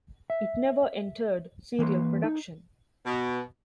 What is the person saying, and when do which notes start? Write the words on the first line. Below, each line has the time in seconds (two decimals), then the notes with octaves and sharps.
It never entered serial production.
0.30 E5
1.79 E3 A#3 B4 C6
2.24 D#4
3.05 B2